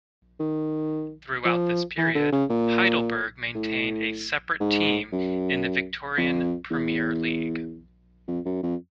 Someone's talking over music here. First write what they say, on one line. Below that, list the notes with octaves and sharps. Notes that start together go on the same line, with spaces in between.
Throughout this period, Heidelberg maintained a separate team in the Victorian Premier League.
D#3
F3
E3
D3
C#3
A#2
A2
G#2
F#2
F2
E2
F2
F#2
F2